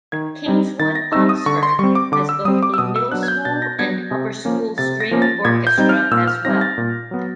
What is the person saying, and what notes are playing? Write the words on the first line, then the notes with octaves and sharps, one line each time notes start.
Kingswood Oxford has both a Middle School and Upper School string orchestra as well.
D#3 G#6
G3 C4 D#4
D#3 A6
A#6
G3 C4 D#4 E6
D#6
D3 C#6
C6
G3 C4 C#6
D6
D3 D6
E6
G3 C4 D#6
D6
E6
B2 D#6
E6
F#3 B3 D4 F#6
G#6
G6
B2 A6
A#6
F#3 B3 D4 G#6
C3
F3 A#3 C#4
C3 A6
A#6
F3 A#3 C#4
A6
A#2 G#6
G6
G3 C4 D#4
F6
A#2 E6
F6
G3 C4 D#4 A#6
A6
A#2
F#3 B3